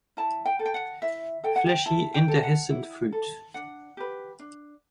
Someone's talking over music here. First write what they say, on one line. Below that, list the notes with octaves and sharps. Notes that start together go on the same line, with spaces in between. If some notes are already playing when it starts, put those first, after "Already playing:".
Fleshy indehiscent fruit.
E4 A5
G5
A4
G5
F#5
E4 E5
A4 G5
F#5
G5
E4 A5
G5
A4
F#5
E4
A4
D4 F#5
G4 B4
D4